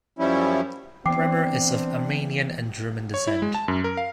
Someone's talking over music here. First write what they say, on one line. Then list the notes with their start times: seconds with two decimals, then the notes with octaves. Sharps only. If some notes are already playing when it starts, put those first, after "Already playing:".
Bremmer is of Armenian and German descent.
0.19 F#2 F3 G3 C#4 E4
1.06 E3 B3 C4 D4 G5 D6 C7
3.14 C#5
3.27 E4
3.42 G#3
3.55 A5
3.68 F#2
3.84 A#4
3.97 F5